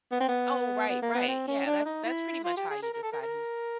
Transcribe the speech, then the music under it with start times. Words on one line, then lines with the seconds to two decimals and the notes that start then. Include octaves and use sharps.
Oh, right right, yeah, that's that's pretty much how you decide who's
0.11 B3
0.20 C4
0.28 B3
0.89 B3
1.02 A#3
1.15 B3
1.28 C4
1.48 C#4
1.66 D4
1.85 D#4
2.05 E4
2.44 F4
2.57 G4
2.70 G#4
2.82 A#4
2.93 A#4
3.03 A4
3.12 A#4
3.22 A#4